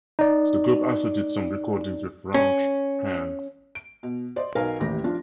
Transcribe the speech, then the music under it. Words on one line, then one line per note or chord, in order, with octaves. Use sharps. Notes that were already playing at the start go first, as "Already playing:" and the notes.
The group also did some recordings with Raunch Hands.
D#4 D5
C#4
D7
B2
C5 D5 D#5 C6
B1 D#4 A#4 B4 F5 G#5
A1 D#2 A2 G4 A#6
F3 D4 F4